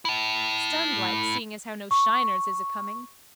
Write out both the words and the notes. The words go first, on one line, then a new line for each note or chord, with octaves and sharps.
Stunned like, seeing as how no shiners is acoming.
E4 A5
C#6